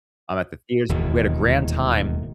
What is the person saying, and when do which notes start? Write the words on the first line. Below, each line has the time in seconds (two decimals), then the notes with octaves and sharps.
I'm at the theaters, we had a grand time.
0.89 E1 D#2 A2